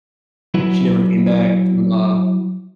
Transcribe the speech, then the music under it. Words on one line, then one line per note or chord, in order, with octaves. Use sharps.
She never came back from a
F#3 E4 F#4 B4